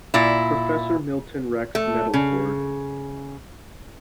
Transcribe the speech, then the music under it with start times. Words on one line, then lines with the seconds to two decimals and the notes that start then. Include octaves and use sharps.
Professor Milton "Rex" Nettleford.
0.14 A#2 E4
1.75 A3
2.14 C#3